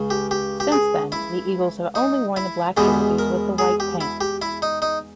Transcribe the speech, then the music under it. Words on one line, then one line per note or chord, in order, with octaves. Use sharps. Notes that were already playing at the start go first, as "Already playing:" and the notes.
Since then, the Eagles have only worn the black jerseys with the white pants.
Already playing: C#2 C#3
G4
G4
G4
G#4
E4
D#4
E4
E2 B2 G#3 B3 G4
A#4
G#4
G4
E4
G4
E4
D#4
D#4